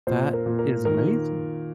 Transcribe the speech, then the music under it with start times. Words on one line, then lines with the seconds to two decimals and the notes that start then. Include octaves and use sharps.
That is amazing.
0.07 A#2 C5
0.33 A#4
0.46 A#2
0.59 A#4
0.85 D#3 A#4